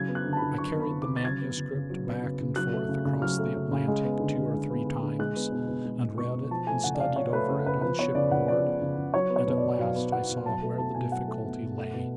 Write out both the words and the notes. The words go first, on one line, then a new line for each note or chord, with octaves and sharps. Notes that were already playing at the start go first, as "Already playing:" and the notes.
I carried the manuscript back and forth across the Atlantic two or three times, and read it and studied over it on shipboard; and at last I saw where the difficulty lay.
Already playing: C#3 F#3 G#6
B3
F#6
D3
A5
B5
D3
F#3 C#6
B3
B5
D3
D6
D3
A6
F#3 G#6
B3
C#3
C#3
F#3
B3
C#3
C#3
F#3 F#6
A3
C#3
C#3
F#3 F6
A3
C#3
C#3
G#3
B3
D3
D3
G#3
B3
D3
D3
G#3 F#6
B3
B2
B2
G#3
B3
B2 C#6
B2
F3 A5
A3 G#5
C#3 F#5
D5
C#3 F5
F3 C#5
A3 B4
C#3
C#3 B4
F3 B4
B3 C#5
C#3 D5
C#3 F#5
F3 D5
B3
C#3
C#3
F#3 C#5
B3
C#5
B2
D5
B2
F#3 F5
B3
B2 F#5
B2
F#3 A5
A3
B2 A5
B2 G#5
F#3 F#5
A3
B2
B2
A3
B2